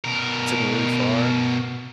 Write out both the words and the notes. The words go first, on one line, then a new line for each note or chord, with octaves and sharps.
took me really far,
B2 A#4